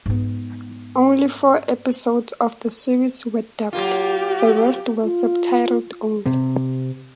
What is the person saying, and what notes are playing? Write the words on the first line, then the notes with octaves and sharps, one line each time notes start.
Only four episodes of the series were dubbed; the rest were subtitled only.
G#2 B3
F#3 A#3 F4 G4
F4
C3